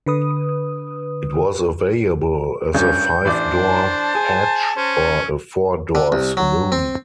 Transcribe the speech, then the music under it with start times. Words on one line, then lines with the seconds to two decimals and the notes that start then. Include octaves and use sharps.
It was available as a five-door hatch or a four-door saloon.
0.06 D3 B4 D#6
2.74 C#2 G2 C#3 G6
3.25 A1 D4 C5 D5 D6
3.61 A5
4.15 G#4 G#5
4.77 C#4 C5
5.95 D3
6.12 C2
6.37 F#3
6.72 C4